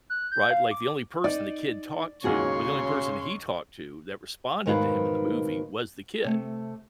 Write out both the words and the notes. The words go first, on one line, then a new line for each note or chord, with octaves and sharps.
right? Like, the only person the kid talked to or the only person he talked to that responded to him in the movie was the kid.
F#6
G6
F5
D6
D#4 D5
D#2 G#2 C#3 F#4 G#4 C#5 F#5 C6
G#2 B2 D#3 D#4 B4 F5
C3 A3